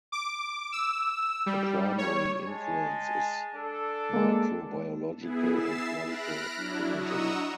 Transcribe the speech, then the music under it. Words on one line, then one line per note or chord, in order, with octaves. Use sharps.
A primary influence is microbiological and medical imaging.
D6
E6
G3
C#5
G#3 G#5 A5
D4 A4
G#3 A#3
B3 E4 G#4
E5 E6 A6 C7 E7
B5 F6 F#6 A#6 D7
F#3 D4 E4
D#5 F#5 A#5 C#6 D#6 E6